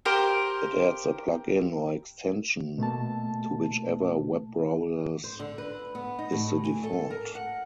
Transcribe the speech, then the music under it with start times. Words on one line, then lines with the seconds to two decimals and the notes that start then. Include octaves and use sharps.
It adds a plugin or extension to whichever web browsers is the default.
0.05 G4 A#4 C5 F5
2.78 B2 A3 A#3 A5
5.24 C5
5.40 D3
5.58 B4
5.95 B3
6.19 D#4
6.32 A2
6.64 G#5
6.83 A4
7.10 A#4
7.35 F#5